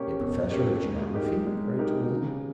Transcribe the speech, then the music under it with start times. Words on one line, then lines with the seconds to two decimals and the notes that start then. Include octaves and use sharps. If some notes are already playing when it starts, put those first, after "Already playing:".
"A professor of geography!" cried Toline.
Already playing: B2 A#3 C#4 G4 C#5
0.19 B2
0.51 A#3 C#4 G4 C#5
0.83 G#3
1.14 D#4 G4 A#4
1.47 G#3
1.78 D#4 G4 A#4
2.10 C#3